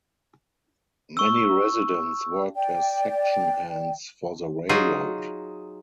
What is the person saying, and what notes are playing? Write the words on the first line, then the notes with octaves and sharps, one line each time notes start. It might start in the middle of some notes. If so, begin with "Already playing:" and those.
Many residents worked as section hands for the railroad.
C#6 E6
D5 G5
F#3 D#4 F4 G#4